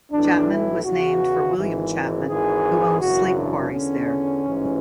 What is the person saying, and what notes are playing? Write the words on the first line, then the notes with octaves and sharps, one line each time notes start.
Chapman was named for William Chapman, who owned slate quarries there.
B1 A2 E3 D4
E4
E2 C#3 E3 F#4
G#1 G#2 E3
G#1 G#2 E3 G#4
G#1 F#2 C#3 E3 F#4
D4
E2 D3 C#4
A1 G#2 E3